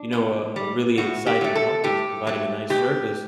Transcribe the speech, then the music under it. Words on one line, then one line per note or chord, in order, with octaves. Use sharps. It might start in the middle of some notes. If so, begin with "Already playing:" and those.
you know, a a really exciting company that's providing a nice service,
Already playing: D4
B2
G3
A2 F#4
G4
F#3 A3
A4
A2 G4
F#3 A3
B2 G4